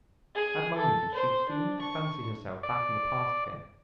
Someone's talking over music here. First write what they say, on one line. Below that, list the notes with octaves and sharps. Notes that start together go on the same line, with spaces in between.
At moments she seemed to fancy herself back in the past again.
G#4
A4
C5
D4
C#6
D5